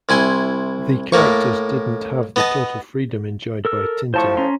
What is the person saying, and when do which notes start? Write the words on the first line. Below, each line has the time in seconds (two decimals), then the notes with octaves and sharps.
The characters didn't have the total freedom enjoyed by Tintin...
0.09 C2 E4 G#5 C6
1.12 A2 A3 A#3 C#6
2.36 B3 D#5 A5
3.65 A4 A#4 E6
4.14 A2 F3 C5 A5 C#6
4.37 C#4 A#5 C6